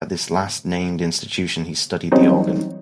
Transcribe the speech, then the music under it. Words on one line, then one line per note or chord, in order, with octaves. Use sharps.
At this last-named institution, he studied the organ.
E3 F#3 G3 C4 C#4 D#4